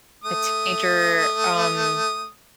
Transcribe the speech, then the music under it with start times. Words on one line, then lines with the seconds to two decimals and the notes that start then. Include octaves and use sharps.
a teenager, um,
0.24 A3 D#6